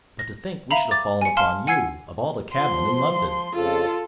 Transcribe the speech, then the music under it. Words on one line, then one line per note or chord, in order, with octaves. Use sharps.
But to think we should have fallen upon you, of all the cabmen in London!
A#6
E5 F5 A#5 B5
D6 A6
G#5 C#7
F5 A5 C6 F6
F#5 G#5 E6 G#6 C7
F3 C6
F2 C#3 F3 F4 A4